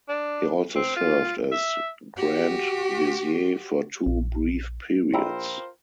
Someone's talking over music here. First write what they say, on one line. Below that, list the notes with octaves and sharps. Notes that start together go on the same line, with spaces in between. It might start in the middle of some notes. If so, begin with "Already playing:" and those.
He also served as Grand Vizier for two brief periods.
D4
C4
F4
E5
F#4 G4
A#1
A#1 F4 A#4 C5 G5 A#5 B5 E6